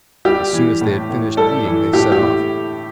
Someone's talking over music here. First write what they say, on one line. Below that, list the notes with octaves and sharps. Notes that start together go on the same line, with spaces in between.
As soon as they had finished eating they set off.
G3 G4
E3
A2
A2
G3 A4
E3
A2 G4
G4
A2